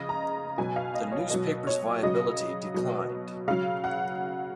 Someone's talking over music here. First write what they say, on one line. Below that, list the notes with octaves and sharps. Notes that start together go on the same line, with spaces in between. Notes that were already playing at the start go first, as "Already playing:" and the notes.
The newspaper's viability declined.
Already playing: C#3 F3 D#5
A#5
B2 F#3 G#5
F5
D#5
C#5
B2 F#3 D#5
C#5
C#3 F#3 D#5
B2 F#3
C#3 F#3 F5
F#5